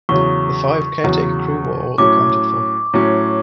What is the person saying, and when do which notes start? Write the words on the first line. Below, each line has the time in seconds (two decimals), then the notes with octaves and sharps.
The five caretaker crew were all accounted for.
0.09 E2 C#3 F#3 C#6
1.04 E2 C#3 F#3
1.98 A2 F#3 C#4 D6
2.94 A2 F#3 C#4